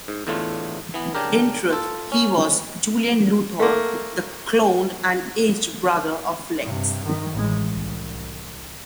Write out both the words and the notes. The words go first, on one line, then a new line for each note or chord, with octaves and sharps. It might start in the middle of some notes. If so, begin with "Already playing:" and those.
In truth, he was Julian Luthor, the cloned and aged brother of Lex.
G#2
E2 A2 D3 A3 F4
E3 B3
C#3 D4 G4 A#4
F4 A4
C#4
A3 A#3
G2 C3
D#3
A1 G#3
C2